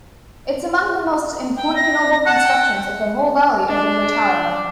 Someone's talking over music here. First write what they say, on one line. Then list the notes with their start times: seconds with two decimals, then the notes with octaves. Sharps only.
It's among the most important noble constructions in the whole valley of river Taro.
1.57 G5
1.75 A#6
2.26 F#5 A5
2.44 G5
3.68 D4